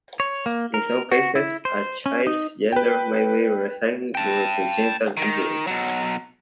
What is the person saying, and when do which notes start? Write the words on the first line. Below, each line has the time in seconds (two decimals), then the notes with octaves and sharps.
In some cases, a child's gender may be reassigned due to genital injury.
0.20 C#5
0.46 A#3
0.74 A#4
1.11 F#4
1.35 E4
1.65 C5
2.06 C#4
2.27 D#4
2.72 B4 G5
4.15 G5 A5
5.17 D#3
5.67 B2 F#3